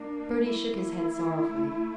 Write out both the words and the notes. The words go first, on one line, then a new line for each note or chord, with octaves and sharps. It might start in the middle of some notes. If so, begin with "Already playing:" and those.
Bertie shook his head sorrowfully.
Already playing: A#3 D4
A#3 E4
A3